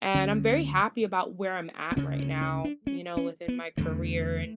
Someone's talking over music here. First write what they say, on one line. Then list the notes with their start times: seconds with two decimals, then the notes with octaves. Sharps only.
and I'm very happy about where I'm at right now, you know, within my career, and,
0.14 D2 D3 C#4
1.92 B3
1.96 D2 C#3 C#4
2.19 C#4
2.41 C#4
2.64 D4
2.87 C#4
3.17 C#4
3.48 B3
3.77 E2 D3 A3